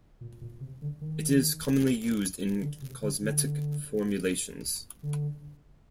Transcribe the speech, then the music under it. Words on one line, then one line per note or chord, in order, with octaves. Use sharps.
It is commonly used in cosmetic formulations.
A#2
A#2
C3
D3
D#3
D3
C3
D3
D3
D3